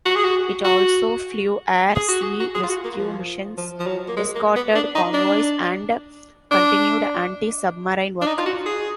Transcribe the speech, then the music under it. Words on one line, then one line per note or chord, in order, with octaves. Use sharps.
It also flew air sea rescue missions, escorted convoys and continued anti-submarine work.
F#4
G#4
F#4
F#4
G#4
F#4
G#4
F#4
G#4
F4
F#4
A#3
F3
F3
F3
F#3
A#3
G#3
A#3
B3
D4
D#4
D4
D4
D4
D#4
F4
F#4
G#4